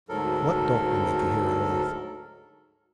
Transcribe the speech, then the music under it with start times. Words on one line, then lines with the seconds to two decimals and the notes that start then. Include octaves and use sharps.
What don't we make a hero of?
0.09 D2 G#2 F#3 A4 A#4